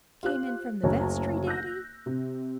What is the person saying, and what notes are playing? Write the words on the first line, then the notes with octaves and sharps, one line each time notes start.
Came in from the vestry, did he?
F4 G4 C5 F#6
F#1 D2 C#3 C#5 A5 A#5
E6 F#6 G6 A#6
C3